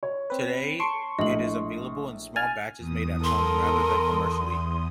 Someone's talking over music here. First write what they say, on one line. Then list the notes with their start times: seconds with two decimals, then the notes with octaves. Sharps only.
Today, it is available in small batches made at home rather than commercially.
0.03 C#5
0.30 C4 B4
0.80 A5 C6 C#6 D7
1.19 A#1 A2 A3 D#5 F#7
2.36 G#5 F6 A6
2.78 E2 D#6
3.24 A4 A#4 C6